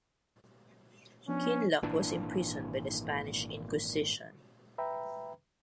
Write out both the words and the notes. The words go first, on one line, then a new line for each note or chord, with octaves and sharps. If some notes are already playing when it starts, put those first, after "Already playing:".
Kinloch was imprisoned by the Spanish Inquisition.
F3 B3 C#4 D4
G#1 A#2 E3 D4
B4 E5 G5 A#5 B5